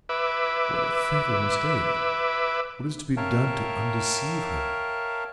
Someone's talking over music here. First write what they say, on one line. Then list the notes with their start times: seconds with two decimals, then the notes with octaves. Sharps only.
"What a fatal mistake! What is to be done to undeceive her?"
0.09 B4 E5 D6
3.17 A#4 C#5 E5 F5 G5 A5